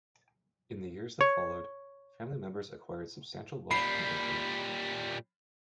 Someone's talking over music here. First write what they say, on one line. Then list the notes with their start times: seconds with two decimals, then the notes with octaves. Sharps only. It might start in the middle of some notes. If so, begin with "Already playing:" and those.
In the years that followed, family members acquired substantial wealth and influence.
1.21 C#5
3.71 A#2 G3 B5 C7